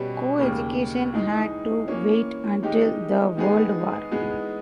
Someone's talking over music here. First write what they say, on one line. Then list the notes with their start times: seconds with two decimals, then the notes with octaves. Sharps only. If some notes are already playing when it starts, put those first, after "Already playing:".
Coeducation had to wait until the World War.
Already playing: B2 G3 C#4 G4 B4
0.39 D#2 C#3 G3 A#3
1.14 E3 G#3 D#4 G#4
1.88 E3 A#3 C#4
2.63 D#3 G#3 D#4 G4
3.37 D#3 G#3 B3 D#4 G#4
4.11 E3 G#3 B3 D#4 G#4